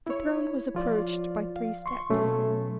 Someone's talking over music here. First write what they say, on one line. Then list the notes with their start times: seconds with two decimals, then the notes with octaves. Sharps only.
The throne was approached by three steps.
0.07 E4 C#5
0.75 F3 F4 D5
1.56 F5
1.86 C6 C#6
2.10 B2 F#3 A3 C#4